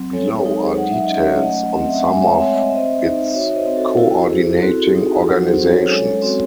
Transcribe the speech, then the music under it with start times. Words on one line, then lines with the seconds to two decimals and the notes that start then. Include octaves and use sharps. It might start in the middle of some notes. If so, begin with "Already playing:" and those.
Below are details on some of its coordinating organizations.
Already playing: F#3 C4
0.13 G#3 A4 C#5
0.45 D#4
0.61 G#4 C5
0.77 F#3 F#5
0.91 E5
1.04 D#5
1.09 C#4
1.18 C#5 E5
1.41 A3 D#5 F#5
1.73 C4
1.80 D#5
1.88 E5
1.97 F#5
2.05 G#3 E5 G#5
2.21 C#5 E5
2.38 C4 C#5 E5
2.54 D#5
2.64 E5
2.70 C4
2.75 C5 D#5
3.02 D#4
3.34 F#4 C#5 E5
3.55 C5 D#5
3.66 C4
3.77 F#4 A4
3.98 E4 F#4 A4
4.30 E4 G#4 C5
4.62 C4 F#4 A4
4.79 G#4
4.94 D#4 F#4
5.10 G#4
5.26 F#3 F#4 A4
5.48 G#4 C5
5.59 C#4
5.69 A4 C#5
5.90 G#3 A4 C#5
6.22 C4 F#4 A4